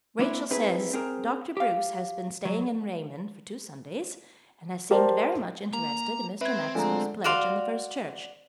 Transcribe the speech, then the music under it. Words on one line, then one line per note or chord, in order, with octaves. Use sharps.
"Rachel says Dr. Bruce has been staying in Raymond for two Sundays and has seemed very much interested in Mr. Maxwell's pledge in the First Church."
A#3 C4 D4 E4
C4 D#4 E4 G#4 B4
C4 G#4 A#4
G4 F5
F#3
G4 A#4 C5 D5 A5
A#3 A#5
C4 B4 E5 G#6
D3 F3 G#3 A3 G#5 A#5
F#4 D5 F5 C6